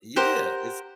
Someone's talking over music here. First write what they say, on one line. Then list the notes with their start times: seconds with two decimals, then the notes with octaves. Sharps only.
Yeah, it's
0.16 G4 A#4 C5 F#5